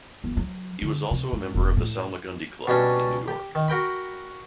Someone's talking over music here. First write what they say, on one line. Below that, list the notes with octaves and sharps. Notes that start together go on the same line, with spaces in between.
He was also a member of the Salmagundi Club in New York.
G1
F#3
D3
C3
G#2
E1
A2
B2 G3 C#4 D4
G4
D#3
F#4 A#4 G5 B5